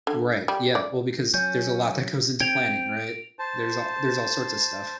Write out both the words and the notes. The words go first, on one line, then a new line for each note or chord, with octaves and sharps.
Right. Yeah. Well, because there's a lot that goes into planning, right? There's all there's all sorts of stuff.
D3
G3
D5
F#3 C#4 G6
C4 G5 G#6 D7 F7
C5 A5